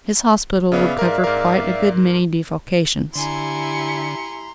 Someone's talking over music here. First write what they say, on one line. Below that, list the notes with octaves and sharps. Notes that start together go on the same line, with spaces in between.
His hospital would cover quite a good many defalcations.
C#3 B3 D5 E5 F5
G#2 A#4
G#2 A#4
D3 E4 G4 G#5 A#5 C6 C#7